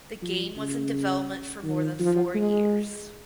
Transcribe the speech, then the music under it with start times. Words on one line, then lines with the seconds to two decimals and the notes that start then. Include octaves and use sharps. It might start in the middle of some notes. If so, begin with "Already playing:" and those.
The game was in development for more than four years.
0.22 F3
0.56 C#3
1.63 D#3
2.00 F3
2.35 G#3